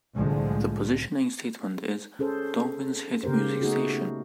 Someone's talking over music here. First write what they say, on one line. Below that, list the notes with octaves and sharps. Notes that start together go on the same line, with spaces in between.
The positioning statement is "Darwin's Hit Music Station".
C2 A2 D3 F3 G#3
C#4 G#4 A4 C5
C#3 A#3 G4 A#4 C5
A3 B3 D#4 F#4 G#4